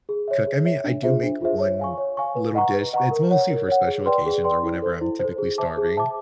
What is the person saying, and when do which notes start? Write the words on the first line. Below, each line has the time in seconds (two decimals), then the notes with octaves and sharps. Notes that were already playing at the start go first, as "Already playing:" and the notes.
cook. I mean, I do make one little dish, but it's mostly for special occasions or whenever I'm typically starving,
0.09 G#4
0.28 C#5 E5
0.47 G#4
0.65 C#5 E5
0.84 D4
1.03 F4 G#4 C5 E5
1.23 D4
1.41 F4 G#4 C5 E5
1.60 C#5
1.79 F5 G#5 C#6
1.98 C#5
2.17 F5 G#5 C#6
2.35 B4
2.55 D#5 F#5 A#5 C#6
2.74 B4
2.93 D#5 F#5 A#5 C#6
3.11 A#4
3.31 C#5 F#5
3.50 A#4
3.68 C#5 F#5
3.87 G#4
4.06 B4 D5 G5 C6
4.26 G#4
4.44 B4 D5 G5 C6
4.63 E4
4.82 A4 C5
5.01 E4
5.19 A4 C5
5.38 G#4
5.58 C5 E5 A5 D6
5.77 G#4
5.96 C5 E5 A5 D6